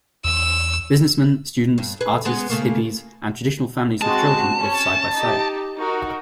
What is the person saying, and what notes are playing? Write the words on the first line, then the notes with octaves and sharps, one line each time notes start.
Businessmen, students, artists, hippies and traditional families with children live side-by-side.
E2 E6
G2
G#4 B4
G#3 B3 C#4
C#3 A3 A#3
G#3 C4 F#4 A5
C#4
D#4 G4
D#4 F#4 A#4